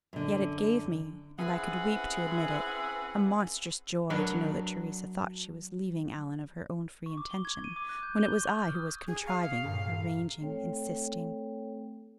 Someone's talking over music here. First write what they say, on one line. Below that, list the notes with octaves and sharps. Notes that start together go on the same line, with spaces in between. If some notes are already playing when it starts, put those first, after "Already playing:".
Yet it gave me, and I could weep to admit it, a monstrous joy to know that Theresa thought she was leaving Allan of her own free intention, when it was I who was contriving, arranging, insisting....
F#2 D3
C4 C#4 E4 G#4 B4 F#5
F#3 D4 A#4 B4
C#6
D6
G7
G#6
D#7
D6
F#6
G6
G7
C#6
F6
D#6
G#4
F5 C#6 D#6
B1 G2 A#2
A3 C4 A4 C#5 G5